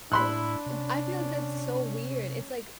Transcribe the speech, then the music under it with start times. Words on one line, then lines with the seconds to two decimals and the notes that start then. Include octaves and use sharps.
And I feel like that's so weird. It's like
0.12 A2 D4 E4 B5 C6 F#6
0.66 C3 C#4